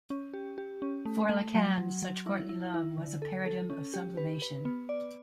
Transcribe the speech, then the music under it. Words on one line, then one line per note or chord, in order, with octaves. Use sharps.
For Lacan such courtly love was 'a paradigm of sublimation'.
C#4
G4
G4
C#4
A3
A3
F#3
F#3
F#3
E4
E4
E4
D3
A4
A4
C#4
G4
B4
B4
B3
D5